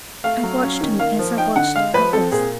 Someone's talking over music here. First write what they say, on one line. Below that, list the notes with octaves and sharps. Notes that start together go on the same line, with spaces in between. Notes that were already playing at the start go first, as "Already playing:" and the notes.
I watched him as I watched others.
A3 F5
F#3
C#4
D#3
A#3 F5
F3
D#4 G5
D3 F#5
G#3 F5
F3 B4
C4 A4
A#2 G#4